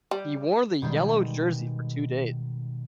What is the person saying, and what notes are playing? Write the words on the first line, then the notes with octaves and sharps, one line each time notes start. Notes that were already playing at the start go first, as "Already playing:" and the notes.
He wore the yellow jersey for two days.
G3
B2 D#3 G3 G#3